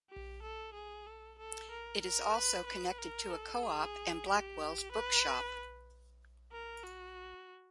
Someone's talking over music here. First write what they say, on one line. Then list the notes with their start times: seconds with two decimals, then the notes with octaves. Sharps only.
It is also connected to a Co-Op and Blackwells bookshop.
0.11 G4
0.42 A4
0.74 G#4
1.07 A4
1.39 A4
1.71 A#4
2.02 A#4
2.35 B4
2.67 B4
2.99 A#4
3.31 A4
3.63 G#4
4.28 G4
4.92 B4
6.53 A#4
6.84 F#4